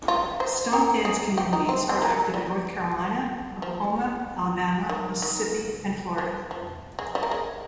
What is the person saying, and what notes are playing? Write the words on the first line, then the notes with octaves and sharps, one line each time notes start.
Stomp Dance communities are active in North Carolina, Oklahoma, Alabama, Mississippi, and Florida.
F4
C5
A#4
G#4
G4
D#4
C4
C4
A#3
G3
F3
D#3
D#3
F3
F3
G#3
G3
A#3
G#3